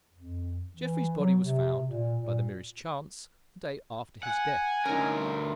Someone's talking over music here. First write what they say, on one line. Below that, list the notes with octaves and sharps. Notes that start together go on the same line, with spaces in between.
Jeffrey's body was found, by the merest chance, the day after his death.
F2
E3
F#3
C3
A#2
A#2
F#5 G#5
D2 C#4 D#4 A#4